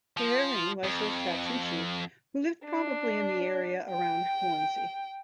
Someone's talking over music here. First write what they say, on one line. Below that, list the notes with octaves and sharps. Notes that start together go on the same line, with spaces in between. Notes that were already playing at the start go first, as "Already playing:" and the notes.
Haering was a Saxon chief who lived probably in the area around Hornsey.
F3
F2
D4
G5